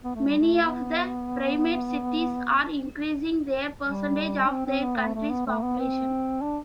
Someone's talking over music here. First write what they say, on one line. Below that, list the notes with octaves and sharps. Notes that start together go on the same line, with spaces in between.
Many of the primate cities are increasing their percentage of their country's population.
B3
A3
G3
A3
B3
G3
D4
C4
C4
B3
A3
A3
B3
A3
B3
C4
D4